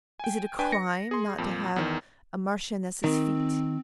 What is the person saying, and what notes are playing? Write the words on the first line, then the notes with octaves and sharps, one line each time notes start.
"Is it a crime not to have a marchioness's feet?"
G5 G#5
D4 B4 G5 G#5
A#6 C#7
G#4 C6
F2 A#2
E2 D#3
D#3 C4